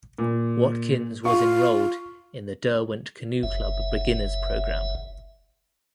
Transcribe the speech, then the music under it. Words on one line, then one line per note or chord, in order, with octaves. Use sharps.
Watkins was enrolled in the Derwent Canoe Club beginners program.
A#2
F4 F5 C#6
F#1 E5